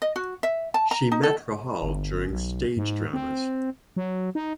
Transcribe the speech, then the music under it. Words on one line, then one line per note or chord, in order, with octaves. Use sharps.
She met Rahal during stage dramas.
D#5
F#4
E5
A5
A#5
D#4
A4
G1
B1
G#2
C4
F#3
D#4